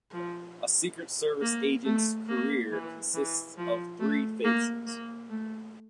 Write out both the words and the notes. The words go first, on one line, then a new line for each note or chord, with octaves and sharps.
A Secret Service agent's career consists of three phases.
F3
A#3
A3
A#3
E3
E3
F3
A3
A#3
A#3
A3